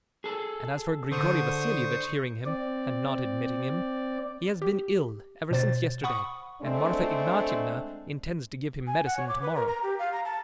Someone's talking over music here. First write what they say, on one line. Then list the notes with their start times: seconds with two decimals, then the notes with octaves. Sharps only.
And as for Grigory Vassilyevitch hearing him and not admitting him, he has been ill ever since yesterday, and Marfa Ignatyevna intends to give him medicine to-morrow.
0.24 G#4 A4
1.12 D3 C5 C#6 D#6
2.46 C4 D5
4.62 G4
5.51 B2 C5 A6
6.04 F#5 B5 C#6 D#6
6.62 G#3 A3 C4 D4
8.87 G#5
9.06 F#5
9.17 C#5
9.29 D6
9.42 B4
9.55 A#4
9.68 A#5
9.83 G4
9.99 F5
10.12 A#5
10.25 A5